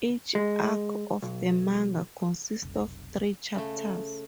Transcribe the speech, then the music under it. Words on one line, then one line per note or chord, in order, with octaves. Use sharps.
Each arc of the manga consists of three chapters.
G#3
B1
F1 B1
C#3 A3